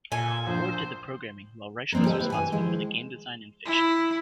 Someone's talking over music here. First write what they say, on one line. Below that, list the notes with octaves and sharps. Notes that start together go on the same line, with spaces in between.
Ford did the programming, while Reiche was responsible for the game design and fiction.
A#2 A4 G#5
A#1 C5
F3 A#3 C4 D4 A#4
D2 G4 A4 C5 D#5
E4 B4
F#2 E3 G#5
D#3 F3 G#3 E4
E4